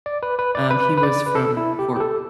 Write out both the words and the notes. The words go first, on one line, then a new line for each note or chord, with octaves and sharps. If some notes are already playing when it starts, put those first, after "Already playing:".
um, he was from Cork.
D5
B4
B4
D5
B4
B4
D5
B4
A4
E4
G4
G4
A4